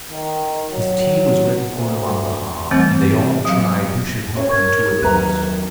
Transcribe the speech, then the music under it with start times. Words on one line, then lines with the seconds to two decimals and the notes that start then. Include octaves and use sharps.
His tea was ready for him on the hob, and they all tried who should help him to it most.
0.11 D#3
0.71 F#3
1.72 D2
2.71 E3 G3 A3 C4
3.45 F#3 F5
4.37 C#4 C#5
4.49 A#4 C#6 G#6
5.02 D#2 F#3 B4 A#5